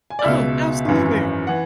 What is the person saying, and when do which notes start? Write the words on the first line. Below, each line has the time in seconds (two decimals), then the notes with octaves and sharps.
Oh, absolutely.
0.10 G#5
0.19 D5
0.25 C#2 B2 E5
0.85 G#1 F#2 E3
1.47 E3 F#5